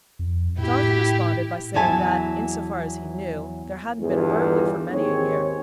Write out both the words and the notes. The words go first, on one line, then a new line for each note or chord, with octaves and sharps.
Jonathan responded by saying that, in so far as he knew, there hadn't been a burglary for many a year.
F2
A2 E4 G4
E2 F#3 E4 G#5 A5
G1 E2 G2
D#2 G#2 C4 G#4 C#5